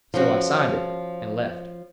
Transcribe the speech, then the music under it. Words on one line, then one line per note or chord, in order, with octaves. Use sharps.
So I signed it, and left.
F3 C#4 F#4